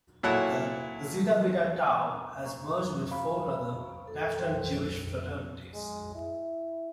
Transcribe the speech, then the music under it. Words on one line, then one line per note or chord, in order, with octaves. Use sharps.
The Zeta Beta Tau has merged with four other national Jewish fraternities.
A#2 F#3 E4 A4 C#5 F#5
C5 A#5 C#6
F5 B5
A4
C5 G5
G#3
E4